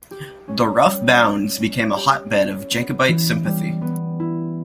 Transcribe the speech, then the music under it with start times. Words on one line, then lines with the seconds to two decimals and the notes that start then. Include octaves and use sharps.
The Rough Bounds became a hotbed of Jacobite sympathy.
0.11 G4
0.48 C#4
0.86 G3
1.23 C#4
1.60 C#4
1.96 G4
2.34 C#4
2.71 B3
3.08 E3
3.45 G3
3.81 B3
4.20 E4